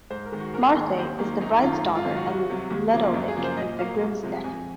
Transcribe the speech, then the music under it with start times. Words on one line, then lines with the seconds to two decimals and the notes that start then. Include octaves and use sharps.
Marthe is the bride's daughter and Ludovic is the groom's nephew.
0.10 G#2 C5
0.26 A#4
0.32 D#3 G#3
0.40 F#4
0.54 G#2 A#4
0.61 G#4
0.69 A#4
0.76 D#3 A#3
0.97 D#2 C5
1.19 D#3 F#3 A#3
1.40 F#2 D#4
1.62 D#3 A#3 F4
1.85 G#2
1.95 F4
2.05 D#3 F#3 F4
2.17 F#4
2.27 C2
2.49 C3 F#3
2.70 D#2
2.93 C#3 F3 A#3
3.14 F#2
3.28 G#4
3.36 C#3 F3 A#3
3.44 C5
3.57 A#2 D#5
3.79 F#3 A#3 F5
4.00 C2
4.23 C3 F3 G#3
4.44 F2 G#5